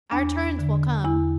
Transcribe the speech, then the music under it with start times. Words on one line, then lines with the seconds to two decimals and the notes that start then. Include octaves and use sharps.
Our turns will come.
0.11 E2 D4
0.59 D3
1.05 E2 E4